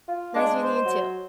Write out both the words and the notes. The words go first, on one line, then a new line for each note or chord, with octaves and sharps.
Nice meeting you too.
F4
G#3 D4
C5
F#3